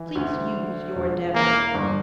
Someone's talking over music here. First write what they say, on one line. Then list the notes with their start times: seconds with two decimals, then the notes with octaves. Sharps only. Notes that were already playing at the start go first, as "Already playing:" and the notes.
Please use your endeavors.
Already playing: E3
0.15 D2
0.55 D3
0.95 E1
1.34 E3 A#3
1.74 G1